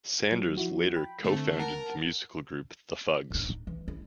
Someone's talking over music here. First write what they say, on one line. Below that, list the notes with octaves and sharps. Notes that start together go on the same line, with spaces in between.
Sanders later co-founded the musical group The Fugs.
F#3
F3 E4 F#4
G5 B5
D3 A3 C4
A#4 F#5 A5
D1 D#4
E3
E4